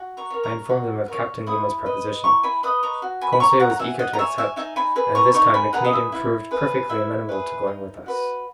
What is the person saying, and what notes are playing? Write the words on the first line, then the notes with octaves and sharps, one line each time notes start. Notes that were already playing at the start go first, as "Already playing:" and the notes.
I informed them of Captain Nemo's proposition. Conseil was eager to accept, and this time the Canadian proved perfectly amenable to going with us.
Already playing: F#4
A#5 C#6
A#4 C#5
A#5 C#6
F#4
A#4 C#5
E4 B5 D#6
B4 D#5
E4 A#5 C#6
G#5 B5
B4 D#5 B5 D#6
A#5 C#6
F#4
G#5 B5
B5
C#5 A#5 C#6
F#5 A#5
A#5
F#4 E5 G#5
D#5 F#5
A#5
C#5 E5 G#5
E5 G#5
D#4 E5 G#5
G#5 B5
G#4 B4
A#5 C#6
D#4 A#5 C#6
G#5 B5
G#4 B4 F#5 A#5
D#5
E5
E4
G#4 B4
E4 E5
G#4 B4
D#4
F#4 B4